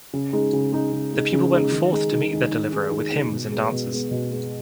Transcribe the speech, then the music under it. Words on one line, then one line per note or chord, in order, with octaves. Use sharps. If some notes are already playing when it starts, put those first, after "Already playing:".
The people went forth to meet their deliverer with hymns and dances.
C#3
G#3 D#4
C#3
G#3 D#4
C#3
G#3 D#4
C#3
G#3 D#4
D#3
G#3 D#4 G#4
D#3
G#3 D#4 G#4
D#3
G#3 D#4 G#4
D#3
G#3 D#4 G#4
B2
G#3 B3
B2
G#3 B3
B2
G#3 B3